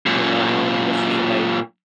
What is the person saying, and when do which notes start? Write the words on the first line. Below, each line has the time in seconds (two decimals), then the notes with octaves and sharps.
you know, I only would see, like,
0.06 F#2 A#2